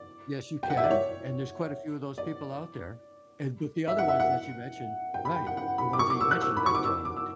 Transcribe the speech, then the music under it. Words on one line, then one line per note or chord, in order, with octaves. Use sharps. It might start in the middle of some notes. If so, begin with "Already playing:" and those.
Yes, you can. And there's quite a few of those people out there. And, but the other ones that you mentioned Right, the ones that you mentioned that, um,
Already playing: D5
G5
F#5
E5
D5
C#5
D5
E5
F#5
E5
F#5
G5
B5
G5
F#5
F#5
B5
D6
C#6
D6
E6
F#6
E6
B5
C#6
D6
E6
D6
E6